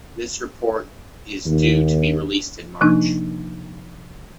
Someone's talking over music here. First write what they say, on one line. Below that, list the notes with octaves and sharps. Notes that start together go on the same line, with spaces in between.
This report is due to be released in March.
D#2
C3 F3 A#3 D4 D#4